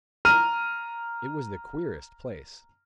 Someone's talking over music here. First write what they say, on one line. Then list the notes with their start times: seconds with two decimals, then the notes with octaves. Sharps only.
It was the queerest place!
0.25 A#5 F6 D#7